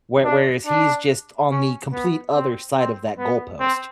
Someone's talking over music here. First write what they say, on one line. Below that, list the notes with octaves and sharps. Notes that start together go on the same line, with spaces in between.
where whereas he's, just, on the complete other side of that goalpost
D4
D4
C#4
B3
C4
C4
B3
C4